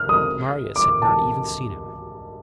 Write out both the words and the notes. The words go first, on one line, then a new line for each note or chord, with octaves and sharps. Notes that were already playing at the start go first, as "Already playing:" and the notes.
Marius had not even seen him.
Already playing: F6
D#6
D6
A5